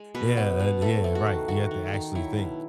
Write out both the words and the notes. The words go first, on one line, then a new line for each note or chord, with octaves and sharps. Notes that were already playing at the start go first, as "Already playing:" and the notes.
yeah, and yeah, right, you have to actually think
Already playing: G#3
B2 B4
B3
B2
A3 A4
A3
F#4
D#3
D#3 F#4
D#3
D#3
F#3 E4
B2